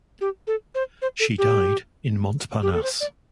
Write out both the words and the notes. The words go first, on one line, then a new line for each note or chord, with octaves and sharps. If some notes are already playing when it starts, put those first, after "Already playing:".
She died in Montparnasse.
G4
A4
C5
C5
A4
G4
G4
A4
C5
D5